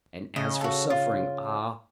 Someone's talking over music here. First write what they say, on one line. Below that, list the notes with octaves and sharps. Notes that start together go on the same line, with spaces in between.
And as for suffering--ah!
C#3 D#5
F#4 A4
F4